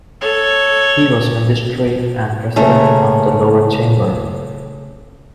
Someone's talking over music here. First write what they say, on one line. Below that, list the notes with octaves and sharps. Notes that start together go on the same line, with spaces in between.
He was magistrate and President of the Lower Chamber.
A4 C#5
C#3 A3 A#3